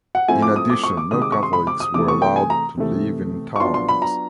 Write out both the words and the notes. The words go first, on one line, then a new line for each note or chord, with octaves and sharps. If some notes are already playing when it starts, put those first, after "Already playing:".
In addition, no Catholics were allowed to live in towns.
F#5
F3 A3 C4 E4 G#5
D6
D#6
D6
C#6
D6
C3 D#3 G#3 D#6
D6
C#6
C6
B5
D6
D#6
C3 E3 A3 D6
C#6
G5
G#5
A#5
C3 E3 A3
C#6
F#3 B3 D4 F4 C6
C6
B5
A#5